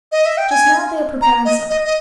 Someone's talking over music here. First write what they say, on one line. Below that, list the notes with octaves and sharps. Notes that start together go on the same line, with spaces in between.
Just now they are preparing supper.'
D#5
E5
G5
G#5
A#5
D#5
D#5
D#5